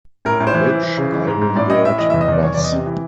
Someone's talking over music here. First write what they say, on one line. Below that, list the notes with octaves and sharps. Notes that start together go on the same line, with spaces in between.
Rich Ironbird bass.
A2 A#4
A2
C5
E3
E3
E3
C#3
E3
G#2
G#2
A2 D5
A2 D#5
A2 E5
E3 D#5
E5
E2
D#5
E2 D5
E2 C#5
D5
E2
D#5
C3
E3